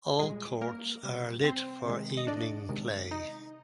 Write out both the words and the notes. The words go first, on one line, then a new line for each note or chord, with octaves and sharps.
All courts are lit for evening play.
A#2 G3 G#3 G#4
A#3 A#4
C3 G3
C4 C5
C3 D#3 G#3
D#5
D4 D5
C3 D#3 G#3
D#4 D#5